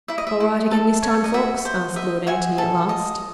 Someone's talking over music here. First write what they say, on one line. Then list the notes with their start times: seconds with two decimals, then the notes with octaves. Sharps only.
"All right again this time, Ffoulkes?" asked Lord Antony at last.
0.08 E4 E5
0.18 D#5
0.27 E5
0.40 E4
0.71 A4
1.02 C#5
1.24 D#5
1.34 F#4 E5
1.65 C5
1.96 D#5 E5
2.27 F#4 E5 G#5
2.58 A4
2.89 D#5